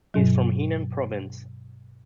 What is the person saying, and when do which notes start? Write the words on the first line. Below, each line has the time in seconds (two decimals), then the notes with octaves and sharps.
He is from Henan province.
0.14 G2 B2 F#3